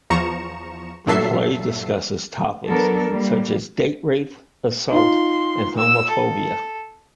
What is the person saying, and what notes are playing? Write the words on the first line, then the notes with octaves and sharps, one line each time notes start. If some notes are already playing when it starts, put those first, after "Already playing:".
The play discusses topics such as date rape, assault, and homophobia.
E2 F3 A#5 C#6 C#7 E7
G2 A#2 F#3 A4 E5 C7
F#3 B3 D4 A4 A#4
G3 A#3
D#4 F4 C6
E6
A4